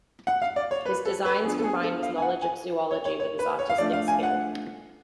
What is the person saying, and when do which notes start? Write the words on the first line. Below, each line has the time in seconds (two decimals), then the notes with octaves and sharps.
His designs combined his knowledge of zoology with his artistic skill.
0.27 F#5
0.42 F5
0.56 D5
0.71 C#5
0.85 B4
1.05 A4
1.25 B4
1.44 F3 B3 D4 G#4
1.58 A4
1.64 G#4
1.83 A4
2.03 F5
2.18 G#5
2.22 F#5
2.42 G#5
2.91 C#5
3.05 C#5
3.20 C#5
3.39 B4
3.59 C#5
3.70 F5
3.78 F3 A3 D4 D5
3.93 F5
4.08 G#5
4.23 F#5